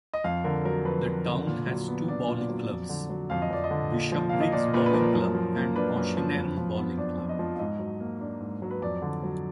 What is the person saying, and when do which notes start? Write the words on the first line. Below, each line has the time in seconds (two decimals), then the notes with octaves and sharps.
The town has two bowling clubs; Bishopbriggs Bowling Club and Auchinairn Bowling Club.
0.14 D#5
0.24 F2 F5
0.44 D3 A#4
0.65 F#3 A#4
0.85 F2 B4
1.06 F2
1.26 D3
1.47 A#2
1.66 F#3
1.88 B3
2.08 D4 D5
2.28 A#2
2.49 F#3
2.70 F2
2.89 D3
3.09 F#3
3.30 F2 F5
3.42 D#5
3.50 F2 D5
3.64 D#5
3.71 D3
3.92 A#2
4.12 F3
4.29 A#3 F5
4.41 D#5
4.52 A#2 D5
4.73 A#2 B4
4.86 B4
4.93 F3 A#4
5.14 F#2
5.35 F3
5.55 A#3
5.76 D4 B4
5.96 F#2
6.17 F3
6.37 F2
6.57 F3
6.77 B3
6.97 D4 D5
7.18 F2
7.29 D#5
7.39 F3
7.55 F5
7.59 G#2 D#5
7.79 F#3
8.00 A#3
8.20 D4
8.40 G#2
8.62 F#3
8.71 B4
8.82 F2 D5
9.02 D3
9.23 F#3